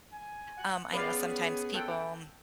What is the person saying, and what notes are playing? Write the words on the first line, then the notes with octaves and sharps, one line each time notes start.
um, I know sometimes people,
G#5
F#5
B3 C#4 G4 G#4 B4 D5 F5
A4 F#5 G5